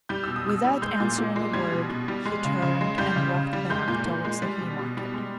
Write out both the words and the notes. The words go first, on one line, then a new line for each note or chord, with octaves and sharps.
Without answering a word he turned and walked back towards the Hay Market.
G3 G6
B2 E6
D#6
B2 E6
G3
G#3 G6
A#2
A#2
G#3
G3 G#6
B2
B2
G3
G#3
C#3
C#3
G#3
G3 G6
C#3
C#3
G3
G#3 G6
A#2 G6
A#2
G#3
G3
B2
B2
G3
G#3